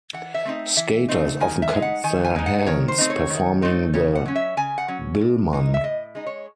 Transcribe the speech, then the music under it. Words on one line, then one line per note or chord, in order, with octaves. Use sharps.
Skaters often cut their hands performing the Biellmann.
E3 F#5
E5
A3 C4 D#4
E3 E5
A3 C4 D#4
D#3 G#5
E5
G#3 D#4
F#5
D#3 G#5
G#5
G#3 D#4
F#5
D#3 C#5
C5
A3 C4 D#4
C#5
D#3
A3 C4 D#4
C#3 C#5
F#5
F#3 C#4
E5
C#3 G#5
F#5
F#3 C#4
A2
G#3 D#4
E5
A2 D#5
G#3 D#4
C#5